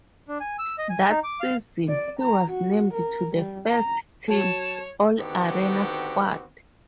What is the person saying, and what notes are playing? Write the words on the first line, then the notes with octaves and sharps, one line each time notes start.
That season, he was named to the First-team All-Arena squad.
D4
G#5
E6
D#5
G#5
D#4
D6
F5
D5
A#5
F#4
A#4
G3
A#5
F#3 C#5 A5
D3 D#3 B3 C4 F#4 G4